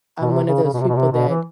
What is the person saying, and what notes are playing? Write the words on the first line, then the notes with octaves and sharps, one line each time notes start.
I'm one of those people that
B2
C3
C#3
C#3
B2
C3
B2
C3
B2
E3